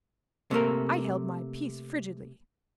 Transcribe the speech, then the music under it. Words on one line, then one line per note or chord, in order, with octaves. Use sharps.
I held my peace frigidly.
C3 A3 A#3 A#4